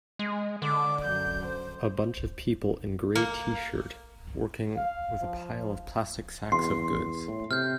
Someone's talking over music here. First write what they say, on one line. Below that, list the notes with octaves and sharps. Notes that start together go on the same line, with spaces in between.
A bunch of people in gray tshirt working with a pile of plastic sacks of goods.
G#3
D3 D6
F#2 G6
C5
A#3
F5
F3
E2 C6 C7
A2
C3 F6 G6